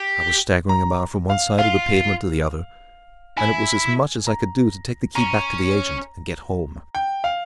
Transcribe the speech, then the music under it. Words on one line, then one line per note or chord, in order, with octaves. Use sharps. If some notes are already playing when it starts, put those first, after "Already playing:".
I was staggering about from one side of the pavement to the other, and it was as much as I could do to take the key back to the agent and get home.
Already playing: G4
A#5
F5
F4 F5
E4 G#5
A#5
C#4 A#5
G5
F5